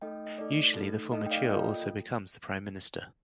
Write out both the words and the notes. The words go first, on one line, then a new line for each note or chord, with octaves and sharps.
Usually, the Formateur also becomes the Prime Minister.
A3 D#4 A4 D#5 G5
D#5
A3 D#4 A4 D5
A3 D#4 A4
A3 D#4 A4 D#5
G5
D5 F5
A#3 F4 A4 D#5 G5